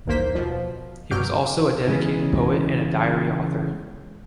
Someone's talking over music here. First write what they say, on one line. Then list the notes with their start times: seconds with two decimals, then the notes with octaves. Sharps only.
He was also a dedicated poet and a diary author.
0.07 A1 D#2 A#3 C5 B6
0.35 B2 F3
1.11 G2 F#3 D6 F6 G6 D7
1.88 C#3 E3 G#3 B3 C#4